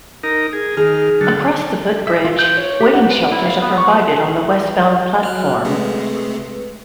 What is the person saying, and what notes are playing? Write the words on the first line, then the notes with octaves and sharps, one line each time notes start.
Across the footbridge, waiting shelters are provided on the westbound platform.
D#4 A#4
G#4
D#3 G#4 F6
D3 F#3 A4
E5
F4
G6
C#5
G4
F#5
B4
E4
F5
B3
C#6
B4
F#3 F6 F#6
C3 G#3 A3 B4